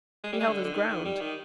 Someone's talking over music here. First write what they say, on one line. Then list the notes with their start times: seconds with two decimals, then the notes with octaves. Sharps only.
He held his ground.
0.24 G#3
0.32 G3
0.40 G#3
0.49 D3
0.65 D3
0.73 D#3
0.89 D#3
1.05 G3
1.21 D#3